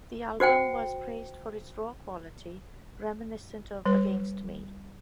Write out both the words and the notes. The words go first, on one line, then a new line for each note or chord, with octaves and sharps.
The album was praised for its raw quality, reminiscent of Against Me!
F#4 C5 F#5 G5
G3 B4